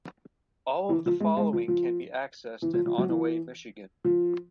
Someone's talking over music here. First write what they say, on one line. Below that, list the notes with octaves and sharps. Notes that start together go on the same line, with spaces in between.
All of the following can be accessed in Onaway, Michigan.
E3
F3
G#3
G#3
F3
F3
E3
F3
F3
F#3
E3
F3